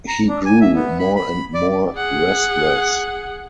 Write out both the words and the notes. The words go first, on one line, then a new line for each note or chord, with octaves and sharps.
He grew more and more restless.
A#5
D4
G#5
E5
B3
B5
B5
D5
G#4 F#5